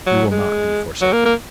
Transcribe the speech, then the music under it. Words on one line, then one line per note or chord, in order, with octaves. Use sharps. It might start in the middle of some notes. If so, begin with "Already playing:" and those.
You will not be forsaken.'
F#3
G#3
F#3
A#3
A#3